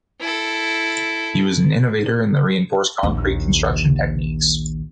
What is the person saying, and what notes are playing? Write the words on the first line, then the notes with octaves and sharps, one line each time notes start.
He was an innovator in the reinforced concrete construction techniques.
E4 A4
A#1 D#2